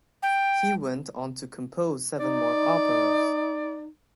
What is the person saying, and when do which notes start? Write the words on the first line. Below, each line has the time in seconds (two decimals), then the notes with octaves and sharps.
He went on to compose seven more operas.
0.23 G5
2.19 D#4 D5